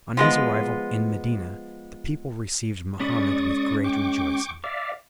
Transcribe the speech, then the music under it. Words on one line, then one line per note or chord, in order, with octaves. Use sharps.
On his arrival in Medina the people received Mohammed with great rejoicing.
F3 G#3 B3
G#3 C#4 D5 B5 C#6 D#6
G5 C#6 D6
D5 E5 F5 D6